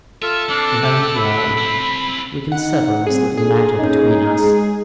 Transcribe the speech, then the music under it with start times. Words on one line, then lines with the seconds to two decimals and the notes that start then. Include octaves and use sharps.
Well, well, we can settle this little matter between us.
0.22 F4 A4 E5
0.49 C4 D4
0.83 A3 D4 G4
1.16 B5
1.58 C4 E4
2.52 D#4 F#5
3.07 G3 C4 G#4
3.37 D4 G#4 A4
3.79 A#3 C#4 D#4
4.40 G#3